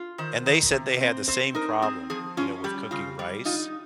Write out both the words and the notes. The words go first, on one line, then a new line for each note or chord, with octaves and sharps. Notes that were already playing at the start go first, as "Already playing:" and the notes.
and they said they had the same problem, you know, with cooking rice,
Already playing: F4
D#3 C5
D#3
C3
C4
C4 C5
D#4 A#4
C4 G#4
F3 G#4
C#4 F4
G3 G4
C#3 F4
G3
D#4 F4